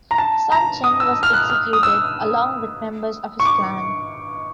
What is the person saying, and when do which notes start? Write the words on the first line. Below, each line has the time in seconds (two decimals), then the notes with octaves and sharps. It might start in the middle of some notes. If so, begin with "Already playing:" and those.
Sun Chen was executed, along with members of his clan.
0.11 A#5
0.18 A5
0.52 A#5
0.84 D#6
1.00 E6
1.23 F6
1.33 F#6
1.50 F6
1.73 D#6
1.83 E6
3.40 C#6
3.45 D6